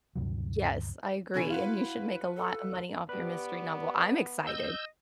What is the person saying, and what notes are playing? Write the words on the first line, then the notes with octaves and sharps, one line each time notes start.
Yes, I agree, and you should make a lot of money off your mystery novel, I'm excited
D2 G2 C3 F#3
B2 D3 E4 G#5
F4 F#4 B4
A4
B3 G4 B4 D5
D#5 E6 G6